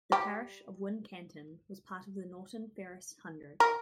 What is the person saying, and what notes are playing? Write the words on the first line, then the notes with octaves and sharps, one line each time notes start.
The parish of Wincanton was part of the Norton Ferris Hundred.
G3 G4
A#4